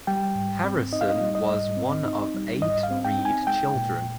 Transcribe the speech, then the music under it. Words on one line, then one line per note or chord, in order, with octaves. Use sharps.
Harrison was one of eight Reed children.
G3 G5
G#2
C4
D#4 D#5
F5
D#5
G3
D#5
G#2
C4
D#4
G3
G#2 D#5
F5
C4
G5
D#4
G#5
G#3 G5
A#2